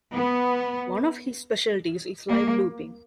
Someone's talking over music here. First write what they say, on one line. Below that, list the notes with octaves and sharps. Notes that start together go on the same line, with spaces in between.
One of his specialities is live looping.
B3
A#3